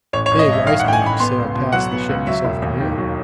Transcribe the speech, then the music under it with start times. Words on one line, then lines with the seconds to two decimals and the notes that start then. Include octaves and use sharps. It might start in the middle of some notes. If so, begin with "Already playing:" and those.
A big iceberg sailed past the ship this afternoon.
0.13 A1 C#5
0.26 C#5
0.31 A1
0.39 D#5
0.48 G2 E5
0.66 D#3 F5
0.80 F#5
0.84 A1 G5
0.93 G#5
1.01 A1 B5
1.20 B3 C6
1.38 C#2
1.56 B2
1.72 F#3 F#5
1.91 B3
2.09 C#2
2.27 F#3 E5
2.45 E1
2.62 D#2
2.80 D#3
2.98 F#3